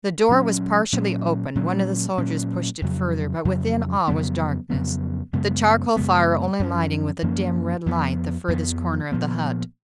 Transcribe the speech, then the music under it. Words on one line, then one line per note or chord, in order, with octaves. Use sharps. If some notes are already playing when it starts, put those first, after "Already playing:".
The door was partially open; one of the soldiers pushed it further, but within all was darkness, the charcoal fire only lighting with a dim, red light the furthest corner of the hut.
A#2 F#3 C#4
A#2 F#3 C#4
A#2 F#3 C#4
A#2 F#3 C#4
F2 C#3 F#3
F2 C#3 F#3
F2 C#3 F#3 B3
F2 C#3 F#3 B3
F#2 C#3 G#3 B3
F#2 C#3 G#3 B3
F#2 F3 A#3 C#4
F#2 F3 A#3 C#4
F2 F3 B3
F2 F3 B3
A#2 F3 B3